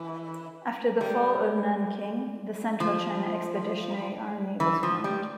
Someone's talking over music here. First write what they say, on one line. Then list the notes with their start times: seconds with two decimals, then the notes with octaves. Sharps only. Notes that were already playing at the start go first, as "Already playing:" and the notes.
After the fall of Nanking, the Central China Expeditionary Army was formed.
Already playing: E3
1.01 G3
2.80 F3
4.60 E3
4.83 F3
5.04 G3